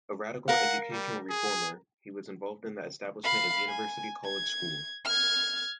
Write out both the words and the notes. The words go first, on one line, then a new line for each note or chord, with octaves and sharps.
A 'radical educational reformer' he was involved in the establishment of University College School.
A#4 F5 F#5
G3
G#4
F5 B5
G#5
G#6
F6 G#6